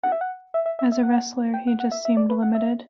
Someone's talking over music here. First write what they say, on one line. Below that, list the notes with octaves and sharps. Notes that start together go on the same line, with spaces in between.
As a wrestler, he just seemed limited.
F#5
E5
F#5
E5
E5
E5
E5
F#5
G5
F#5
F#5
E5
E5
D5
B4
F#5
E5